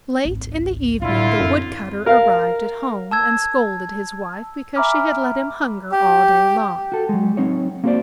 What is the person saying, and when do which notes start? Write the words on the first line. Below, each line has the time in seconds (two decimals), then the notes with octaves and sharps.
Late in the evening the Woodcutter arrived at home, and scolded his Wife because she had let him hunger all day long.
0.25 G#1 C#2
1.02 A2 D3 A3 E4 F4
1.40 F#2 C4
2.06 A#4 F5
3.11 A5 E6 G#6
4.76 E5 G#5 A#5 B5 D6 F6
5.92 G4
6.92 F#4 A4
7.09 F#3 G#3
7.37 F#3 C4 D#4 C#5
7.84 A#3 C4 F#4 A4 C5 D5